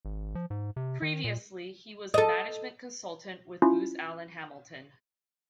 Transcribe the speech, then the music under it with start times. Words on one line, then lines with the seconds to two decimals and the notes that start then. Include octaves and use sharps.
Previously, he was a management consultant with Booz Allen Hamilton.
0.05 G#1
0.35 F3
0.50 G#2
0.76 C3
1.02 D#3
1.24 A#2
2.14 A4 D#5
3.62 C#4 E4 F4